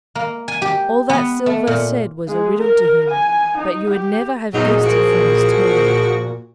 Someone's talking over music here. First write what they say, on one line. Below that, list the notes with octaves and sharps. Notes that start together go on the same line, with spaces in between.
All that Silver said was a riddle to him, but you would never have guessed it from his tone.
A#3
G#5
G4
B3
A3
A#2
G#3
A#4
G#5
D#4
G4
E2 A#2 F#3 D#4 G#4
F3 F#4 A#4